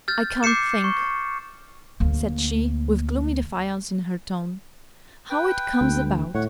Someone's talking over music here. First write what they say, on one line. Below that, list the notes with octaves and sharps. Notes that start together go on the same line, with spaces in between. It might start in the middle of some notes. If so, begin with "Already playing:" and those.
'I can't think,' said she, with gloomy defiance in her tone, 'how it comes about.
F6 G6 A6
D6 G6 C7 C#7 E7
C#6
D2 A#3
B4 G5
D2
A2 C#5 F#5